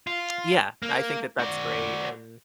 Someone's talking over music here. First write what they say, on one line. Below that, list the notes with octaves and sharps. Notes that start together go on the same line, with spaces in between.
Yeah, I think that that's great and,
F4
A#3
F#4 D5